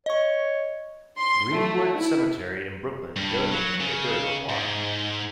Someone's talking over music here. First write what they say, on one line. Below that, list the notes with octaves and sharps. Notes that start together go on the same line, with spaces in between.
Green-Wood Cemetery in Brooklyn donated a burial plot.
C#5 D#5 C#6
C6
A3
E4
G2
F#3
C#3
G#2